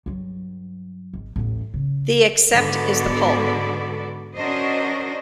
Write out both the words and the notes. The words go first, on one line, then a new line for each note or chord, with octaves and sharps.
The "accept" is the pulp.
G2 F#3
G#1
A1 D#2
C#3
G#2 D3 B3 F#4 A4 D5
C#4 D4 F#4 A#4 C5 D#5